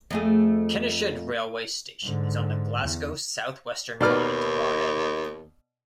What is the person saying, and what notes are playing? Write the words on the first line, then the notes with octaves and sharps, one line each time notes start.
Kennishead railway station is on the Glasgow South Western Line to Barrhead.
F2 A3 G#4
G#2 D3
E2
D#2 B2 D#4 A#4 B4 D5 F6